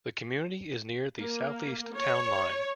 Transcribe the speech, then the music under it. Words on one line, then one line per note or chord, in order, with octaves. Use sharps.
The community is near the southeast town line.
A#3
C#5